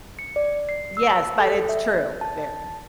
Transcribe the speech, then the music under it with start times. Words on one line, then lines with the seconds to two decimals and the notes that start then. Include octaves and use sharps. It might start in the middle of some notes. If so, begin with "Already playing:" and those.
Yes, but it's true, very.
0.19 C#7
0.36 D5
0.69 C7
0.97 E6
1.09 A5
1.39 A4
1.69 E5
2.21 A5